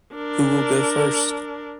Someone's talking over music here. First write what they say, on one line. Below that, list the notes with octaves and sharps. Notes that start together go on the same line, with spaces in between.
Who will go first?
D4 A#4